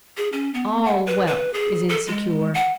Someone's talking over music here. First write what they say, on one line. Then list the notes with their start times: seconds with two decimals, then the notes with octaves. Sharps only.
All wealth is insecure.
0.17 G#4
0.32 C#4
0.54 B3
0.84 F#5
1.06 B4
1.27 B4
1.54 G#4
1.89 A4
2.07 G#3
2.54 F#5